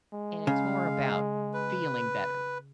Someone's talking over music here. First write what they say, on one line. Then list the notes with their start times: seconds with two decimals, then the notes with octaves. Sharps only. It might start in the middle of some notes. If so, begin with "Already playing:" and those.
And it's more about feeling better.
0.14 G#3
0.47 C#3 F5
1.54 B4